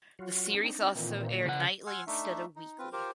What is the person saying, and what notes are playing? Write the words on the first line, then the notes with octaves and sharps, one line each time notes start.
The series also aired nightly instead of weekly.
F#3 F4 F#4
C4 D4 D#4
A#2 D#3 E3 C4
D3 C#6 A#6
C#3 B4 F#5
F#5 G#5 C6 E6 F6
A3 D4 D#4 E5
D#4
C4 F4 B4
F4 G4 A#4 C5